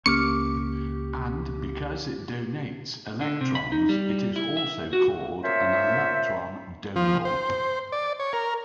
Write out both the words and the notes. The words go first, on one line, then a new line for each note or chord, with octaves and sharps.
And because it "donates" electrons it is also called an electron donor.
C#2 A#3 C#4 G4 C#6 D6 F6 C#7
D3
C3
B5
D#4
G3
E4
E5
F#4
A#3 C#4 F4 C5 C#5 E5
F3
C5
D5
C#5
A#4